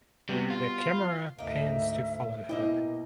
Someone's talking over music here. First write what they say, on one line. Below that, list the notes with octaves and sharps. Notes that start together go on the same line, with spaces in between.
The camera pans to follow her.
C3 G3 B3 F#4
F4
D2 G#2 A#3 D#4 E5
B2 A#3 E4 D#5 E5 G5